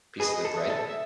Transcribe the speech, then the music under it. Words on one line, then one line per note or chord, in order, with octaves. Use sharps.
pieces of bread?
G#4 B4 D#5
A4
E5
A4
E5